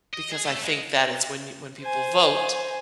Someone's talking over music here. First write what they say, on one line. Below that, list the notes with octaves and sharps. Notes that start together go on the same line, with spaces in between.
because I think that it's when you when people vote,
D#5
G#4
A3
G#3
C5 G#5